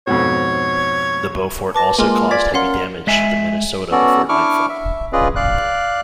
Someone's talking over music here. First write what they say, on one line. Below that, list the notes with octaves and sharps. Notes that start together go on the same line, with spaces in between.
The "Beaufort" also caused heavy damage to the "Minnesota" before nightfall.
F2 G#2 B2 C#5
B4 A5 D6 A#6
G#3 A#3 F4 G#5 C6 F6
D5 G#6 A6 B6
C#4 A#4 F5 F#5 C6
G#3 E5 G#5
B3 C#4 F#4 A4 D5
D4 E4 C#6 D6 F6
E5
C#4 F4 G#4 B4 D5 D#5
D5 F5 F#6